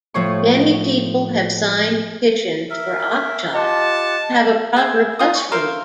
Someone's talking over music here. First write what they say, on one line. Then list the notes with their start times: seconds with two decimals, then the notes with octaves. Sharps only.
Many people have signed petitions for Oxshott to have a proper bus route.
0.14 A2 F3 C5 C#5 C#6
2.70 A#4 E5
3.55 F4 G4 D#5 F#5 A5
4.76 G#4 E5
5.19 F4 D#6
5.35 C#6
5.52 A#4 C5 E5 F5